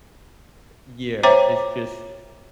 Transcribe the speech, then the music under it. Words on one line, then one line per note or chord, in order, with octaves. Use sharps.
year is just
C5 C#5 E5 G5 A#5 D6